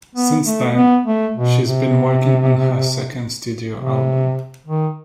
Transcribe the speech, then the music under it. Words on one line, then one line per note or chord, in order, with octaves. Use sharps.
Since then, she's been working on her second studio album.
B3
A3
B3
A3
B2
C3
C3
D#3